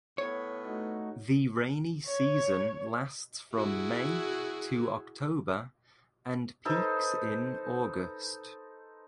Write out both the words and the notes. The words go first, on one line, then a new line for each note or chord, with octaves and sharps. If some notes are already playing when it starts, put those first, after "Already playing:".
The rainy season lasts from May to October and peaks in August.
A2 B3 C#5
A3 D#4 F#4
C#5
E4 F#4 G#4
D#4 A4 B4 C5